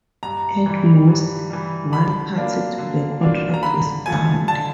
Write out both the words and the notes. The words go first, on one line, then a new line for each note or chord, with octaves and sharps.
At most, one party to the contract is bound.
G2 A#5
E3 G3
G2
E3 G3
D3 B5
F#3 A#3 D4 F4
D3
F#3 A#3 D4 F4
A#5
D3 B5
F3 A3 G#5
D3 A5